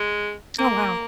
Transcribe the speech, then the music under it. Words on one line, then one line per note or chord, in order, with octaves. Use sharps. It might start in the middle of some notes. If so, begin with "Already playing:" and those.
Oh, wow.
Already playing: G#3
A#3